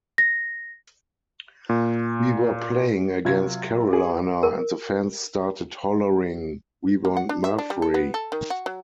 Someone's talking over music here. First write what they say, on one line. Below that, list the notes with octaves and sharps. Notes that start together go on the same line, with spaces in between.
We were playing against Carolina, and the fans started hollering, 'We want Murphrey.
A#6
A#2
C3 F#3 F4 G#6
G#4
A#4
A#3
F#5
D4
E5
D4
G3
A4
B3
A4
D#3
F#4
F#3